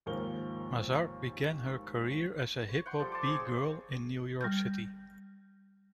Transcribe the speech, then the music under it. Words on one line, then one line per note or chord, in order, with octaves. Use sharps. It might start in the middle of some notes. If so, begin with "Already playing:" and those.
Mazar began her career as a hip hop b-girl in New York City.
D#2 G#2 F3 A#4 G7
C#5
F#5 G5 C6
F3 G3 A4 C5
A5 C6 D6
C4 G#4 C#5
C#6
G3 F6 G6